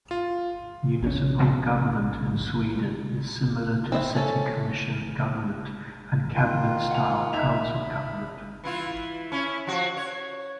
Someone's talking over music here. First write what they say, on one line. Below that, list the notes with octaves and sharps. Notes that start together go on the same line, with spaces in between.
Municipal government in Sweden is similar to city commission government and cabinet-style council government.
F4
A#1 B2 F3 C#4
C4 E4 D#5 E5
A3 C#4 A4
D#3 F4
F#5 G#5 F7
D#4 E5 B5 F7
E3 E4 F4
C#4 E4
F3 F#4
C#5